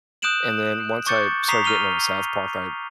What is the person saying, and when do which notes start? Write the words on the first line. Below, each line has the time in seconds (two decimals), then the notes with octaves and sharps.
and then once I started getting into South Park, I
0.22 D#6 F#6 G6 D7 E7 F#7
1.07 C#6 D6 G6 A6 C#7
1.48 A#5 C#6 D#6 B6 C7 F7
1.64 F6 D#7 F7 G7